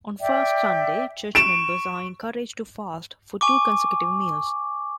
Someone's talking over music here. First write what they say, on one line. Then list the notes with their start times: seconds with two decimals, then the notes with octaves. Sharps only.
On Fast Sunday, church members are encouraged to fast for two consecutive meals.
0.20 D5 E5 G5
1.35 C#6 D7 E7
3.41 G#5 C#6 D6